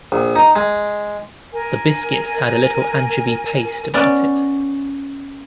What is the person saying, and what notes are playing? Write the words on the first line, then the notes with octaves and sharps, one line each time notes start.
The biscuit had a little anchovy paste about it.
A#1
D#4
G#3
A#4 G#5
B3 C#4 D5